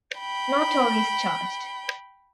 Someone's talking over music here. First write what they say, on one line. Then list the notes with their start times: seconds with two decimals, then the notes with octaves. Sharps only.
No toll is charged.
0.18 G5 B5